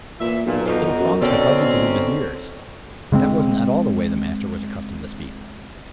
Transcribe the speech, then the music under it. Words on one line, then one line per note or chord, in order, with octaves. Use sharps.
Little Franz could hardly believe his ears; that wasn't at all the way the master was accustomed to speak.
A#2 E3 E5
B1 A#2
F2 D4 D#4 F#4
F#2
B2 D3 C4 C#4 D#4 A4
C#3 G#3 A3 C4